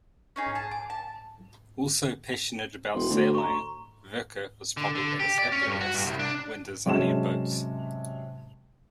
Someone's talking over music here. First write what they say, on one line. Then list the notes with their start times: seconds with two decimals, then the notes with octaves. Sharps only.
Also passionate about sailing, Vereker was probably at his happiest when designing boats.
0.36 C#4 D#4 G#4
0.55 G#4 A5
0.71 D6
0.90 A5
2.95 E1 C6
3.10 D2
3.35 A#5 C#6
4.77 D3
4.95 D3
5.20 G4
5.39 D5
5.52 C#4
5.67 G2
5.81 F#4
5.94 G2
6.06 C2
6.19 D4
6.86 C3 F#3 G#3 C#4 A5 E7